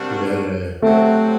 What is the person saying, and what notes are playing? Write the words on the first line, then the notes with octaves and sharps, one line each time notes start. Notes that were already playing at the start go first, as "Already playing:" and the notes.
Yeah, yeah, yeah.
Already playing: C3 G3 A#3 D4 F#4
C3 F#3 A3 C4 F#4